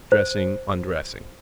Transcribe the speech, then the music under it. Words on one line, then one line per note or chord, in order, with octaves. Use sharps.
Dressing, undressing.
C5